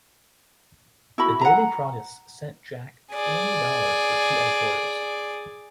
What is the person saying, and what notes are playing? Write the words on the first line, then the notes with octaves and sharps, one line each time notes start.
The Daily Proteus sent Jack twenty dollars for two editorials.
E4 F#4 B5
F#5 A#5
G#4 D5